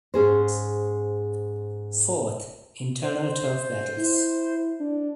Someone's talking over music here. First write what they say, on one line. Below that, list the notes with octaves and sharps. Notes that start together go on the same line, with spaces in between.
Fourth, internal turf battles.
G#2 C#4 G#4 C5
C5
E4
D4